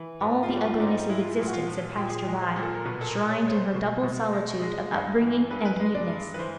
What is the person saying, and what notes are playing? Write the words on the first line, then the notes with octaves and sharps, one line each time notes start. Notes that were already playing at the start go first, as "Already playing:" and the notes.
All the ugliness of existence had passed her by, shrined in her double solitude of upbringing and muteness.
Already playing: E3
G#2 F#4
F4
G3
F#4
F4
G#2 D4
D#4
G#3 E4
F4
E4
A#2
F#4
F4
F3
A#2 G4
G#4
G#3 G4
C5
A#2
A4
A#4
B2 B4
A4
A#4
G#3
C#5
G#3 C#5
C5
B2
B2
G#3
G#3
G2
E3
G2 B4
A#4
B4
G#3
D5
G2
B4
E3 C5